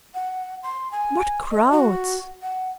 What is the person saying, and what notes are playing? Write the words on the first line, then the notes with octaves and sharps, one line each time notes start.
What crowds!
F#5
C6
G#5
D#5
F#4
F#5